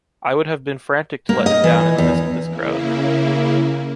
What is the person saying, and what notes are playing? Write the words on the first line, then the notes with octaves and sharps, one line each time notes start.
I would have been frantic to let him down in the mist of this crowd.
A#3
D#5
E3
E2
C#3 A#3 E4